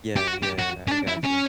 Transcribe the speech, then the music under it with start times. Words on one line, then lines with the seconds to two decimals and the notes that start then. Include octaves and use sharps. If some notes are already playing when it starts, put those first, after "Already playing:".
Yeah, yeah, I I gotcha.
0.16 G4
0.27 F#4
0.43 G4
0.59 F#4
0.88 C#4
0.91 D4
1.08 E4
1.25 C#4